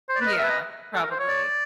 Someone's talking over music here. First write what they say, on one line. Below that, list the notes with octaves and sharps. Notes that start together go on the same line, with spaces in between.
Yeah. Probably.
C5
D5
B4 D#5
A#4
E5
B4 D#5
A4
A#4
C5
C#5
D5